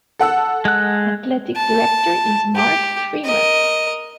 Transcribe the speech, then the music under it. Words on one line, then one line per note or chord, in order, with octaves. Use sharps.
Athletic Director is Mark Freeman.
A4 F#5 E6
G#3 F#6
A5
G4
A#4 D#5